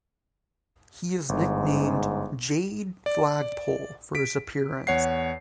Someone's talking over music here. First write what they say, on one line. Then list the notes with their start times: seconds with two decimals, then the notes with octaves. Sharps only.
He is nicknamed "Jade Flagpole" for his appearance.
1.29 G1 G#2
3.06 D5
4.15 B6 D7
4.87 E2 C#5 F#5 C7